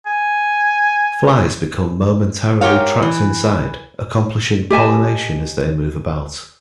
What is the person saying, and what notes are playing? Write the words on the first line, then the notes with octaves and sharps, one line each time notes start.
Flies become momentarily trapped inside, accomplishing pollination as they move about.
G#5
G#2 G4 A#4 C#5 F5
E3
G4 D#5 G#5 A5